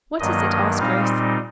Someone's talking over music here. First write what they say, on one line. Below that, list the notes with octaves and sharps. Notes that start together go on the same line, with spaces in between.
"What is it?" asked Grace.
G2 D#3 F#3 A#3 D#5
A#2 G3 C4 D#4 F5